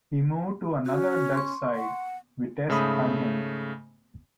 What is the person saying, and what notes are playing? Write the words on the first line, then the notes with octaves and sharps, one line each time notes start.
He moved to another Dutch side, Vitesse Arnhem.
C#4 F#4
C6 C#6
F#5
G#2 C#3 A3 E5 B5 D#6